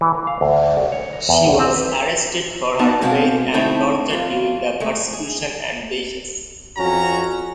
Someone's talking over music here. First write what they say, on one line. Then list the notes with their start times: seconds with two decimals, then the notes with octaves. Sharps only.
She was arrested for her faith and tortured during the persecution of Decius.
0.01 E3
0.15 A#4
0.27 F5
0.41 D2
0.77 C2
0.92 C#5
1.13 A#5
1.29 E2
1.47 C2
1.59 C4
1.76 B4
2.79 B3 D#4 D5 A5
3.01 B2 G#3 C4 D5 F5 F#5
3.54 D3 A3 C4 D#4 E4
4.10 F2 F4
4.80 G#3 A3
5.13 G#4
6.77 F2 C#4 F#4 A#5